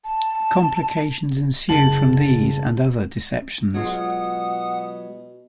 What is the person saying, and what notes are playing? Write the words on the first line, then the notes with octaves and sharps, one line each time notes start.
Complications ensue from these and other deceptions.
A5
F#1 A5 F#7
B2 F#3 G#3 F4 F#5 D#6